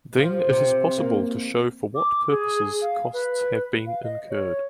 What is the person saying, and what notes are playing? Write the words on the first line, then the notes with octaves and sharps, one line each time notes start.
Then it is possible to show for what purposes costs have been incurred.
F3
C3
A#3
D6
G#4
F5
B4
F5
D#5
C#5